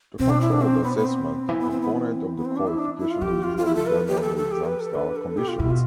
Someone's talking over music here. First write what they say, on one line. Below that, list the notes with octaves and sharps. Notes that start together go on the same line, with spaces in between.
The Controlled Assessment component of the qualification is usually done under exam-style conditions.
B2 C4
D4
E4
D4
C4
B3
B3
C4
E3 B3
B3
C4
B3
C4
B3
C4
D4
E4
D4
E4
F4
F3 G4
F4
F4
E4
A4
B4
G4
B4
A4
A4
G4
B4
A4
D3 B4
A4
B2 G4
F4
B2 E4
F4